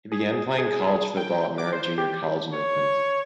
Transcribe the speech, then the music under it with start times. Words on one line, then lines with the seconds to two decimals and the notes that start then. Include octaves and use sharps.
He began playing college football at Merritt Junior College in Oakland.
0.12 G#4
0.58 G#4
1.17 G5
1.58 D6
1.73 C5
1.98 G4
2.52 C#5